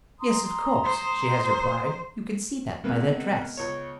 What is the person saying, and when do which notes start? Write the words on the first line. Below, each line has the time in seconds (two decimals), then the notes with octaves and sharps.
"Yes, of course," she has replied; "you can see that by their dress."
0.20 A#5 C6 D#6
0.84 C5
2.84 C3 G#3 A#3 B3 B4
3.57 C#2 C#5